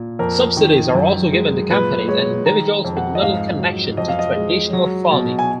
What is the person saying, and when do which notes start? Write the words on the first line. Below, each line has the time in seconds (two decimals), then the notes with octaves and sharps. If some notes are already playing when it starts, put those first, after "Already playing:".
Subsidies are also given to companies and individuals with little connection to traditional farming.
Already playing: A#2
0.19 F2 A#4
0.57 D#3
0.95 F#2
1.33 G#3
1.70 A#2 B4
2.08 G#3 C#5
2.46 D#3 A#5
2.85 F2
2.97 F#5
3.15 D#5
3.22 G#2 F5
3.59 F#3
3.97 F2 D#5
4.08 F5
4.19 D#5
4.35 G#3
4.73 F#3
5.11 B2
5.39 G#5